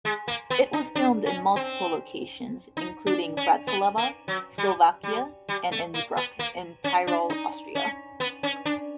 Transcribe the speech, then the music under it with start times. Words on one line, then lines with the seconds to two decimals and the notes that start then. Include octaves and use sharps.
It was filmed in multiple locations, including Bratislava, Slovakia and Innsbruck in Tyrol, Austria.
0.05 G#3
0.28 A#3
0.50 B3
0.73 D#4
0.96 D4
1.26 C#4
1.56 C4
2.77 D#4
3.07 D4
3.37 C#4
3.67 B3
3.98 A#3
4.28 F#3
4.58 G3
5.03 G3
5.49 G3
5.71 A3
5.94 A#3
6.17 B3
6.39 A#3
6.84 C#4
7.07 D4
7.30 D#4
7.75 C#4
8.20 B3
8.43 C#4
8.66 D4